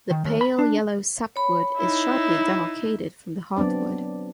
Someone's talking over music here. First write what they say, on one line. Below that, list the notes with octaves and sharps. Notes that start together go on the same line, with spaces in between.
The pale yellow sapwood is sharply demarcated from the heartwood.
D#3
D#2
B5
D4
C#5 B5
D#4 E4
F#3 B3 C4 D4 D5